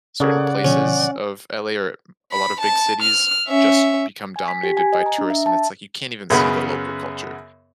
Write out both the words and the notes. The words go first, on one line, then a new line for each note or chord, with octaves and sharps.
certain places of LA, or m a lot of big cities, just become dominated by tourists, and it's like you can't even see the local culture,
C#3 A4 A#4 D5 F#5 G#6
B2 D3 F3 C#4
B5
A5
F6
C#4 E5
G#5
B6
G4
G#5
D#5
A#5
D4
E5
A5
F#2 C#3 B3 B5